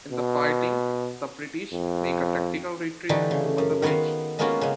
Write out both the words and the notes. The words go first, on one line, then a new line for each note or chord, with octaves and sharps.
In the fighting, the British make a tactical retreat over the bridge.
B2
F2
D3 E3 A3 D4 D#4 G4
C#3
F#2
D#3 B3 C#5 F5 C6
G#3 A#3 B3 C#4 F4 F#4
C#3 G#3